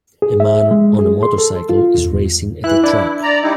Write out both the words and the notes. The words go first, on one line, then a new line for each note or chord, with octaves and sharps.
A man on a motorcycle is racing at a track.
G#4
E5
G#3
G#4
C6
A4
F4
E2
E3 E4 F#6
D4 E4
D5 A#5
G3 D#4 E4